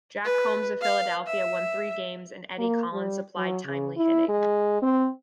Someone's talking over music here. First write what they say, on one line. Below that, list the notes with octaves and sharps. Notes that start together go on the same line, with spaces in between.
Jack Coombs of Philadelphia won three games and Eddie Collins supplied timely hitting.
B4
F5
E5
A#3
G3
F#3
C#3
E4
G#3
C4